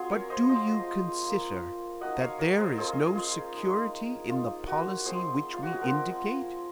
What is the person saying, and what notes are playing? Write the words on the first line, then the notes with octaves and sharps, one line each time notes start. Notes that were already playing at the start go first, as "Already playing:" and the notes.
But do you consider that there is no security in the policy which we indicate?
Already playing: F#3 C4 F4 G#4
A#4 C#5
C5 D#5
F3 G#3 C4 C5 D#5
A#3 F4
F#3 A#3 D#4 D#5 F#5
C#5 F5
A#4 C#5
G#4 C5
G#3 C#4 F4 G#4 C5
F4 G#4
G#3 D#4
A#3 D#4 F4
F#4
F3 G#3 C4 G#4 C5
F4
F#4
G#4
F3 G#3 C4 F4 F#4 A#4